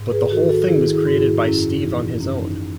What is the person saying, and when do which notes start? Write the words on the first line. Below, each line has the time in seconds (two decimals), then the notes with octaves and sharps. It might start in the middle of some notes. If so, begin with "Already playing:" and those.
But the whole thing was created by Steve on his own...
Already playing: G#2
0.12 G#4 B4
0.30 D#3 F#4 A4
0.49 F#4 A4
0.68 D#3 E4 G#4
0.93 E4 G#4
1.07 G#2 F#4
1.18 E4 G#4
1.44 F#2 C#4 E4
1.81 E3 D#4
2.20 F#2 C#4
2.44 D#4